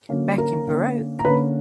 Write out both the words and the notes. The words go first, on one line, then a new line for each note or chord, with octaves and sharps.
Back in Baroque...
D3 F#3 A#3 C#4
A#4 A#5
D3 A#3 C#4
A#5
D3 A#3 C#4 B4 B5